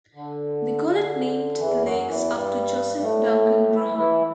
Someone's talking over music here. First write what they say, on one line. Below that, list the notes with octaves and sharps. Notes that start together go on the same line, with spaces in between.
Nicollet named the lakes after Joseph Duncan Graham.
D3
D3
E2 E3
F#2 F#3
E2 E3
G2 G3
A2 A3
E3 E4
E3 E4